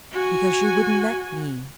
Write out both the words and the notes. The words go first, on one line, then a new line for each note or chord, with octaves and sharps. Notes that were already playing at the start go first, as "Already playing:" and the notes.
"Because she wouldn't let me."
F#4 G#5